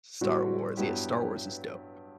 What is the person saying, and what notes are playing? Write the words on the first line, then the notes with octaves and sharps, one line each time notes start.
Star Wars, yeah Star Wars is dope.
A2 G3 C4 F#4
G2 F#3 B3 E4 G4